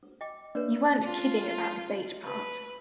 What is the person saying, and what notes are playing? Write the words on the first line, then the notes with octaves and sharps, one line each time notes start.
You weren't kidding about the bait part.
D#5 G5 D6
A#3 D4 B4 C#5 D5
F4
B4